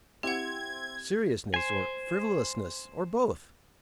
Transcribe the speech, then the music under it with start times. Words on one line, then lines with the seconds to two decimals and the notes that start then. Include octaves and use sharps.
Seriousness or frivolousness or both.
0.23 C4 E4 G4 F#5 G#6
1.54 C5 G#5